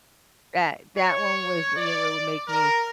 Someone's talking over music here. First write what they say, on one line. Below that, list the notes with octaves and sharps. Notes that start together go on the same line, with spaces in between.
That that one was you w would make me
C#5
D5
A#4